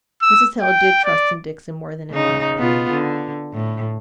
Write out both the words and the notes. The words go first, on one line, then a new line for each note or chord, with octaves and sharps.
Mrs. Hale did trust in Dixon more than in Margaret.
E6
G5
D5
C#3 D#4
B2 B3 F4
D3
A2